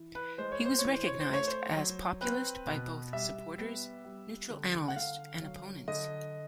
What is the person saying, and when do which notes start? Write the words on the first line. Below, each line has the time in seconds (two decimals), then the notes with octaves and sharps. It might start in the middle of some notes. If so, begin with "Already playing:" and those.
He was recognized as populist by both supporters, neutral analysts, and opponents.
Already playing: E3
0.15 B4
0.38 G#3 C5
0.52 C#5
0.65 C5
0.79 E3 C#5
0.93 C5
1.06 C#5
1.20 C5
1.30 A3 C#5
1.47 C5
1.76 F#3
2.21 C4 B4
2.67 B2
3.13 G3 E5
3.59 B3
4.05 G3
4.50 D3
4.88 F#5
4.96 D3 F5
5.42 F#3
5.88 D3 D#5